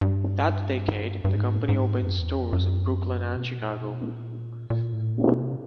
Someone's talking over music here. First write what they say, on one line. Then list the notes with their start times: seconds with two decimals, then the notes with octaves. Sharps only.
That decade the company opened stores in Brooklyn and Chicago.
0.01 G2
1.25 G2
1.36 G#2
1.59 A2
1.69 G#2
2.03 F#2
2.19 E2
2.36 F2
2.53 F#2
3.37 B2
3.59 A#2
3.81 B2
4.04 A#2
4.70 A#2
4.93 A2
5.15 A#2
5.29 B2
5.37 C3